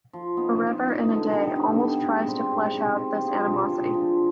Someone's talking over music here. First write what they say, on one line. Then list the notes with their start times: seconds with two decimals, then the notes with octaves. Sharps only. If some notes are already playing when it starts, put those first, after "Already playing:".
"Forever in a Day" almost tries to flesh out this animosity.
0.13 F3
0.37 B3 D#4
0.60 F3
0.85 B3 D#4
1.08 D3
1.32 G3 B3 D#4
1.56 D3
1.79 G3 B3 D#4
2.03 G#2
2.27 G3 C4
2.51 G#2
2.75 G3 C4
2.99 G3
3.22 D4 F4 G#4
3.47 G3
3.70 D4 F4 G#4
3.94 F3